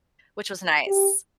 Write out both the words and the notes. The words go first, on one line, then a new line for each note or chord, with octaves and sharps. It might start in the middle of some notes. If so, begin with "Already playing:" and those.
which was nice.
G4